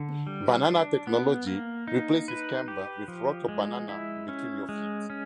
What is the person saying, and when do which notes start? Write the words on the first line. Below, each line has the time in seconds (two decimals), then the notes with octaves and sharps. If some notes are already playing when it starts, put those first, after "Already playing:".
Banana Technology replaces camber with rocker "Banana" between your feet.
Already playing: D3
0.27 G3
0.66 D4
1.07 B3
1.47 A#3
1.87 D#4
2.28 B4
2.68 G4
3.08 F3
3.48 G#3
3.89 E4
4.28 C#4
4.69 G#3
5.10 C#4